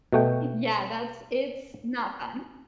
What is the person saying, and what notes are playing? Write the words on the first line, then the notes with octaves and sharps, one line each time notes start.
I yeah. That's it's not fun.
B2 A3 G5